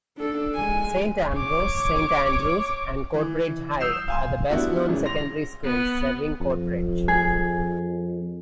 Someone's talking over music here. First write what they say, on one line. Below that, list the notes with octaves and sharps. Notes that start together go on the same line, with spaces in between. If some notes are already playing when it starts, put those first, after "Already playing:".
Saint Ambrose, Saint Andrew's and Coatbridge High are the best-known secondary schools serving Coatbridge.
D4 A4
G#3 G#5
C#5 D6
E3
D#6 E6 G6 C7 E7 F7
F5 G#5 C6
G3 B3 D4 E4 F#4
G#1 C#3 E3
C6 A#6 F7
B3
F2
G#4